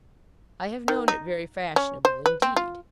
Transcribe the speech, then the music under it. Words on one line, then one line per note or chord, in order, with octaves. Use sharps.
I have known it very fashionable indeed.
D#3
D#4
C#4
C5
B4
C4
F4